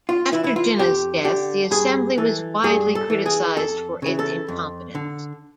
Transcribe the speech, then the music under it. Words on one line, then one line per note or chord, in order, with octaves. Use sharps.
After Jinnah's death, the assembly was widely criticized for its incompetence.
F4
E3 E4
E4
F4
F2 G4
D3 G4
G2 G#4
E3 A4
G2 G#4
A4
E3
G#4
F2 A4
C#3 E3
A4
F2
D3